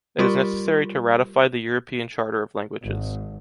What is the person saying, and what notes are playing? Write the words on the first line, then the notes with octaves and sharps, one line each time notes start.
It is necessary to ratify the European Charter of languages.
G3 F4 G4 A#4 C6 C#6
G#1